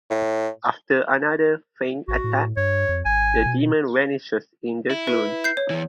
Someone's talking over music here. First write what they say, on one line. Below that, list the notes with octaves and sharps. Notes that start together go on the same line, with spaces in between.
After another feigned attack, the demon vanishes in the gloom.
A2
A1 F#4
A2
G2 C#5
F2
G#1 G#5
B2
E4
B4
G6 C7
C#5
E2 E3